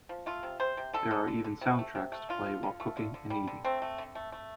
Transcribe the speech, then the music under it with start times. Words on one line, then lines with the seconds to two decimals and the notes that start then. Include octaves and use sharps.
There are even soundtracks to play while cooking and eating.
0.09 F3
0.26 A3 F4
0.43 C3
0.60 C3 C5
0.77 C3
0.93 D3 A4
1.11 D3
1.27 D3
1.44 D3
1.61 C3
1.79 A3
1.95 C3
2.12 A3
2.29 D3 F4
2.46 D3
2.63 D3
2.80 A3
2.97 D3
3.14 D3
3.30 G3
3.47 D3
3.65 A3 C4
3.82 A3
3.98 D3
4.15 A3
4.32 A3